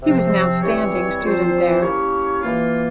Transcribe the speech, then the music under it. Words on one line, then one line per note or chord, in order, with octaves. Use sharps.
He was an outstanding student there.
C3 F3 C4
E3 G3 C4 G4 C#5
A#2 F3 C4 F4 C5
A#3 C#4 E4 G4 C#5
E3 A#3 F4